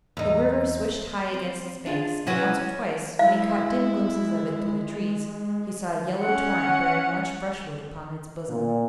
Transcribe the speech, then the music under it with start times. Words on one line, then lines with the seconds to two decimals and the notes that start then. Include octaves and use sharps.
The river swished high against its banks and once or twice, when he caught dim glimpses of it through the trees, he saw a yellow torrent bearing much brushwood upon its bosom.
0.17 E2 D#4
1.34 C4
1.86 D4 F4 G#4
2.27 F#3 C#4 E4 B4
3.19 G#3 E4 F5
6.21 C#4 F#5
8.49 A#2